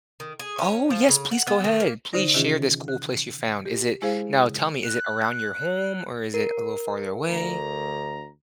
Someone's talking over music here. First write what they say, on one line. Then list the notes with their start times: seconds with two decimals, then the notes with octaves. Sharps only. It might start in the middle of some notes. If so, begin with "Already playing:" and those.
Oh, yes. Please go ahead. Please share this cool place you found. Is it now tell me. Is it around your home, or is it a little farther away?
0.20 D#3
0.39 G#4
0.58 C#4
0.90 F3
1.09 C#3
1.31 F#5
1.47 B3
1.64 D#3
1.80 A#3
2.13 D3 D#4 C5 D5 A#6
2.34 C3 D#3 E3 C#4 F4 G#4
2.88 F#6
3.65 G4
4.02 G#3 E4 G#4 C5 F5
4.44 C#3
4.85 F#6
6.34 A#4
7.29 D2 A#5